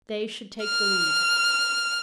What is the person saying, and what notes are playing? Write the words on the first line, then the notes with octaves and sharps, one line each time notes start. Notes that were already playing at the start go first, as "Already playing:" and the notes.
They should take the lead.
F6